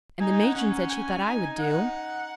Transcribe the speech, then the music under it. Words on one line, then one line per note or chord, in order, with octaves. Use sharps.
And the matron said she thought I would do.
D#4 G#5
G#5
F#5
C#4 F#5
F#5
G#5
D#4
F#5